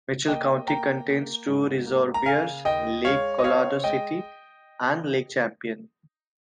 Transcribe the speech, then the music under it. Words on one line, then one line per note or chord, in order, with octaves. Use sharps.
Mitchell County contains two reservoirs, Lake Colorado City and Lake Champion.
A#3 D#5 G5
A#3 G5 A#5
A#3
G#2
A#3
A#5
C#3 F5 G#5
D#2 D#5 G5
G#3 C#5 F5
D#5
C4 C#5 F5
G#3 D#5 G5